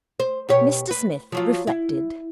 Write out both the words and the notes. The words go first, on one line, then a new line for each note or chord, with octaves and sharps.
Mr Smith reflected.
C5
B2 G4 C#5
B4
F3 F#3 F4
E4